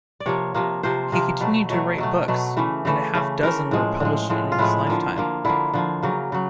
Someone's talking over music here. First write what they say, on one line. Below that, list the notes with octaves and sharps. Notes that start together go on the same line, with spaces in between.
He continued to write books, and a half dozen were published in his lifetime.
D5
C3 F3 A#3 C#5
C3 F3 A#3
C3 F3 A#3 C5
C3 F3 A#3
B2 F#3 A3
B2 F#3 A3 C#5
B2 F#3 A3
B2 F#3 A3
C#3 E3 A3
C#3 E3 A3
C#3 E3 A3
C#3 E3 A3 A#4
A2 F3 G#3
A2 F3 G#3
A2 F3 G#3
F4
A2 F3 G#3 E4
D3 F3 A#3
D3 F3 A#3
D3 F3 A#3 E4
D3 F3 A#3
C#3 F#3 A#3
C#3 F#3